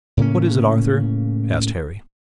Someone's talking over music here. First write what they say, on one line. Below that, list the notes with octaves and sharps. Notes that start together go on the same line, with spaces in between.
"What is it, Arthur?" asked Harry.
A2 C#3 A#3 C#4